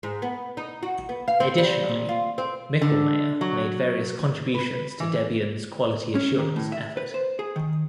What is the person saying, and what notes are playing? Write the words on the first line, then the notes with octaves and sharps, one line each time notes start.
Additionally, Michlmayr made various contributions to Debian's quality assurance effort.
G#2
B3
D#4
F#4
B3
F5
C4
G3
A#2
F4
C4
D3
F#3
B4
E3
C#4
D#3
A2
E5
B4
C5
G#4
D#3